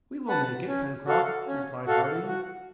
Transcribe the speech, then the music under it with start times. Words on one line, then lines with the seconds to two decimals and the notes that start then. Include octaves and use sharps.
"We will make it, Pencroft," replied Harding.
0.28 B4 F#5 A5
0.67 C#4
1.07 F#4 A4 F5
1.48 C#4
1.86 F#4 A4 F5
2.27 F#4